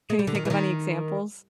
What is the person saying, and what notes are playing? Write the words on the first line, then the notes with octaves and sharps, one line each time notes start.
Can you think of any examples?
G#3
G3
D3
D#3
E3
D#3